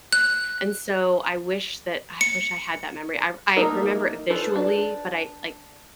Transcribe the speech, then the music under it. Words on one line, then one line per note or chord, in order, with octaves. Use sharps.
and so I wish that I wish I had that memory. I I remember it visually, but I, like
F#6
C#7
F#3 A3 A#3 D#4 A#4
F4 A4 B4 C5
D4